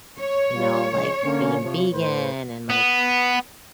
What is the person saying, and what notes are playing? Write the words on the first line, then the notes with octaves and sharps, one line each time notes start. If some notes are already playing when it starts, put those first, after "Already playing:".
you know, like, being vegan and, like,
C#5
G3 F4
C#3 F3 G#3
D3 A#3 C#4
C3 F3
A2 B4 C5
B3